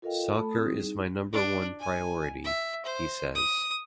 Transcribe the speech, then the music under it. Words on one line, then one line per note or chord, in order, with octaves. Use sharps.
"Soccer is my number one priority," he says.
F4 A4 A#4 D#5 F5 G5
A3 A4 A5 B5
C4 E4 D#6
G3 G#4
D#4
D4
G#5
E5
C5
D#6